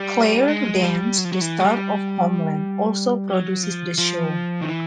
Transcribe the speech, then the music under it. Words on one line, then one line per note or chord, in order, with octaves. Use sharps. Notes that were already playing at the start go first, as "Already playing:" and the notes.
Claire Danes, the star of "Homeland", also produces the show.
Already playing: G3
G#3
G3
F#3
F3
F#3
E3
G#3
G3
F#3
F3
F3
D#3
E3